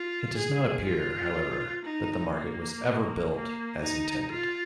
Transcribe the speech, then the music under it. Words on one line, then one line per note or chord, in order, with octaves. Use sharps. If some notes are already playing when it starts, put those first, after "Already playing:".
It does not appear, however, that the market was ever built as intended.
Already playing: F4
G#4
F4
D#4
A#3
A#3
D#4
F4